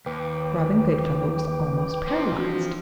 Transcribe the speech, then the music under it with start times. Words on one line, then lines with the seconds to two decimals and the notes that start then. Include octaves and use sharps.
Robin Goodfellow was almost paralyzed.
0.06 D#2 B4 G5 D6
2.08 F3 C4
2.39 E3 D4 F#4